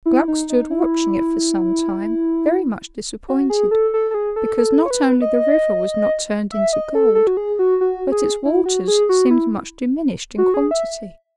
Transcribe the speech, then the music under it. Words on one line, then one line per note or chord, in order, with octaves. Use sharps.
Gluck stood watching it for some time, very much disappointed, because not only the river was not turned into gold, but its waters seemed much diminished in quantity.
E4
D#4
D#4
E4
F#4
G#4
A4
A4
A4
G#4
A4
A4
C#5
B4
D#5
E5
D#5
A4
A4
F#4
G#4
F#4
F#4
G#4
E4
F#4
G#4
F#4
E4
F#4
G#4
E5